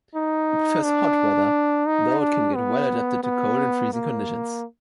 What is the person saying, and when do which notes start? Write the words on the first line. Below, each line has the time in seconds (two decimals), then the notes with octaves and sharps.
It prefers hot weather, though it can get well adapted to cold and freezing conditions.
0.15 D#4
0.84 D4
1.87 D#4
2.20 D4
2.56 B3
3.24 B3
3.93 A#3